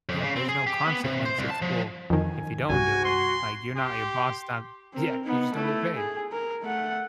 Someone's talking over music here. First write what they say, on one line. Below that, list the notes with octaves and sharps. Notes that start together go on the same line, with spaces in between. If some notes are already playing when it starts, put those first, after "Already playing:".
Yeah, there's no consequence if well, if you don't do it, like, you're not your boss don yeah, you just don't get paid.
F2
C#3
C4
G#4
G4
B3
C3
C5
C2
A5
F3
F2 D#3 G#5
C2 G2 F#4 G#5
C6
G4 C6
C4 A#4
B3 D#4
A3 E4
G#4
A#4
A3 F#5